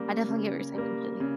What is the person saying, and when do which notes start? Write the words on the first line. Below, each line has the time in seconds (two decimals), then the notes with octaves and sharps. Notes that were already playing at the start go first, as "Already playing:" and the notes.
I definitely get what you're saying completely.
Already playing: C#3 G3 A#3
0.29 C#3
0.74 G3 A#3
1.20 C#3